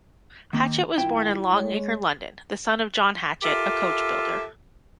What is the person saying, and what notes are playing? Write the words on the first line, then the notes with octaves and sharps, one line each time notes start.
Hatchett was born in Long Acre, London the son of John Hatchett, a coach-builder.
D#3 A#3
G2 D#3 E4 F4 G5
G#3 C#5
F4 G4 A4 A#4 E5